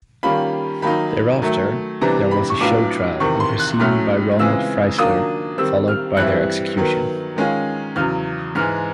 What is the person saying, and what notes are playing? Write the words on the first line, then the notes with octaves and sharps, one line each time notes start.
Thereafter, there was a show trial overseen by Roland Freisler, followed by their execution.
D#3 G3 A#3 C#4 F4 B5
D#3 F#3 A#3 D#4 B5
D#3 F#3 A3
C3 E3 G3 B3 D4 A#5
B5
C#6
A2 F#3 B3 D4 F4 D6
E2 C3 D#3 C#6
C6
F#6
A2 F#3 A3 C#4 F6
C#3 E3 G#3 C4 F4 E6
D#3 F#3 A#3 D4 F4 D#6
D#3 G3 C4 E6
F6
G2 E3 G3 C4 E4 F#6
D#3 F#3 B3
D#3 G#3 C#4 F4
E2 C#3 F#3 F6
G#2 E3 G#3 F6